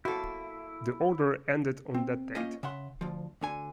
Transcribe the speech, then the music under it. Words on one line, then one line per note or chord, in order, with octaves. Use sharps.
The order ended on that date.
A#3 E4 F#4 A4
C4
A#3 C#4 F4 C5 D#5
C#3 E5 F#5 C6
D2 F3
D2 D3 G#5